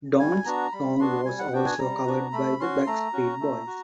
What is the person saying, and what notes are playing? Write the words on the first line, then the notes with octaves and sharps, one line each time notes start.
Dawn's song was also covered by the Backstreet Boys.
G3 G#5
B3 D4 F#4 A#5
G3 B5
B3 D4 F#4 C6
G3 G#5
F#5
B3 D4 F#4 G5
G#5
G3 A#5
B3 D4 F#4
A3 B5
C#4 F#4 C6
A3 A#5
C#4 F#4
A3
F#4